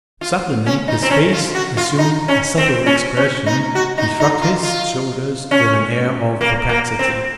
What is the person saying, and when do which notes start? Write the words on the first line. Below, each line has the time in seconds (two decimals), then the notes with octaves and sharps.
Suddenly his face assumed a subtle expression, he shrugged his shoulders with an air of perplexity.
0.21 F4
0.66 C#4
0.88 D#4
1.02 C4
1.11 C#4
1.33 F4
1.55 F#4
1.77 F4
1.98 D#4
2.28 C#4
2.58 C4
2.86 C#4
3.17 C#4
3.46 D#4
3.75 F#4
3.98 D#4
4.20 D#4
4.42 F4
4.63 F4
5.51 C#4
6.41 A#3
6.69 A#3
6.99 C4